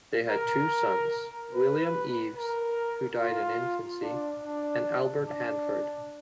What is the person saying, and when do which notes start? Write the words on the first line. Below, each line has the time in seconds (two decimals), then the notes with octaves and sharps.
They had two sons, William Eves, who died in infancy, and Albert Hanford.
0.29 A#4
1.53 B4
2.37 A#4
3.20 F4
4.02 D4
4.44 D4
5.27 D4